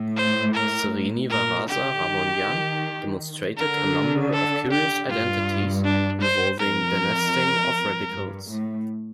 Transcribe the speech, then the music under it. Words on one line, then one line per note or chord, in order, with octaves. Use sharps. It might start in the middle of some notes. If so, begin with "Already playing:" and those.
Srinivasa Ramanujan demonstrated a number of curious identities involving denesting of radicals.
Already playing: A2
C5
A#4
A#2 A#4
D3 G4
D#3
D3 A#4
A4
G4
G2 F4
D4
C5
F2 A#4
G2
A2